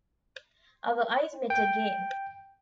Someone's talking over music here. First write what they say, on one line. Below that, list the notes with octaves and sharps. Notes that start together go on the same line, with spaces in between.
Our eyes met again.
G5